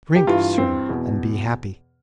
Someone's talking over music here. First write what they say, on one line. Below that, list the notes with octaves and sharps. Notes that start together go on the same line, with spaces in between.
Drink, sir, and be happy!
G4
G2 E3 F4
C4
E2 B2